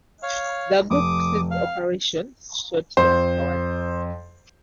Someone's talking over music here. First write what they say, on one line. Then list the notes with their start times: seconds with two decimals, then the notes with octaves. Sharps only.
The group ceased operations shortly afterwards.
0.23 C#5 F5
0.91 F1 D6 D#6
1.51 F5
2.97 F2 C5